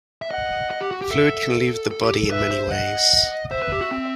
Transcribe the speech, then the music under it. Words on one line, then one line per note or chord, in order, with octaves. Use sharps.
Fluid can leave the body in many ways.
E5
D#5 F#5
D#5
G4
F#4
G4
A4 E5
A4
G4
A4
B4 E5
C5
D#5 F#5
C5 E5
B4
G4
F#4
C4